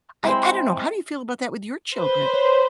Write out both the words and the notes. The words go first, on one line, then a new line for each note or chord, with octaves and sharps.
I I don't know. How do you feel about that with your children?
G#3 C4 E4
B4 C5
C#5